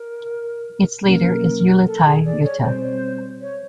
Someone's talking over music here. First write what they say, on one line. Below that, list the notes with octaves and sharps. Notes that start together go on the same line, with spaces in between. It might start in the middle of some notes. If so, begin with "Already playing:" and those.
Its leader is Uliti Uata.
Already playing: A#4
B2 F#3 A#3 C#4 A#4
A4
G#4
D5
C#5
B2 G3 C4 C5
C#5